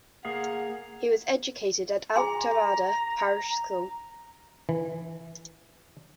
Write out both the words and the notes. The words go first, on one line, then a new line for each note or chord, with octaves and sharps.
He was educated at Auchterarder parish school.
A#3 G#4 F5 F#5
G#4 G#5 A#5 C6
E3